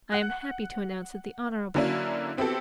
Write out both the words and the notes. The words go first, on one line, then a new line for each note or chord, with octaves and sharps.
I am happy to announce that the Hon.
F#5 F#6
D3 F#3 A#3 C#4 D4 E4
B3 C4 E4 F#4 G4 A4